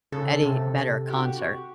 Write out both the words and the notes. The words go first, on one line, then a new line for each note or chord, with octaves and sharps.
Eddie Vedder concert.
C#3 A4
C3
F#4 G4